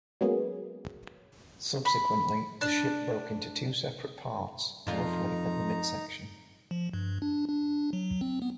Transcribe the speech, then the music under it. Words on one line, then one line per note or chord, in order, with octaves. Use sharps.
Subsequently, the ship broke into two separate parts, roughly at the midsection.
F#3 G#3 A#3 B3 C#4 G#4
B5
D4
F2 D#4 F4 A#5
F3
G2
D4
D4
F#3
C4
B3